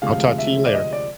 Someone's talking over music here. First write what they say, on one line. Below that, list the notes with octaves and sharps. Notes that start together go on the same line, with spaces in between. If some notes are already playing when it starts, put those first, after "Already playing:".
I'll talk to you later.
D2 C3 F3 G#3 F5
E5
D5
D#5
D5